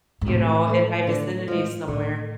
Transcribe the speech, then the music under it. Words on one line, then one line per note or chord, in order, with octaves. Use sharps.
you know, in my vicinity somewhere,
G#2
A2 C3
E3 A3
D3
F3 G#3
A2 D3